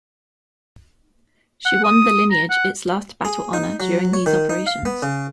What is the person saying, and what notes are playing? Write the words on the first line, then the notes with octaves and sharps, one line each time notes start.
She won the lineage its last battle honour during these operations.
F#5
D#6
A#5
F#5
G#4
D#4
F#3
C#5
D#3
D#4
F5
B3
C#3